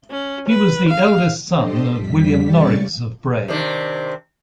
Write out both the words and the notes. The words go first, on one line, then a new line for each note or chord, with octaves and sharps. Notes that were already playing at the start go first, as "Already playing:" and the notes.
He was the eldest son of William Norreys of Bray.
C#4
B4
F5
D4 G4 A4 C5 D#5 C6
F2 G3 B6
C3 G3 C#4 D5 C#6 A6
C3 D#3 D4